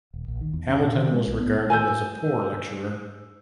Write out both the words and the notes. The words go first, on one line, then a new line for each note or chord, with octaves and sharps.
Hamilton was regarded as a poor lecturer.
D#1
A#1
D#3
E2
C#4
A#2
D#3
G#3
B1
B3
G#5 E6 G6